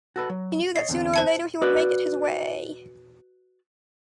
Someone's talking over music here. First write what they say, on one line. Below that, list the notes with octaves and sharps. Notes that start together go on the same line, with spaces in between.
He knew that sooner or later he would make it his way.
F#4 A4 B4
F#3
C#5 D#5 C7
E2 D3 C4
C5 A5 C#7
F#4 B4 D5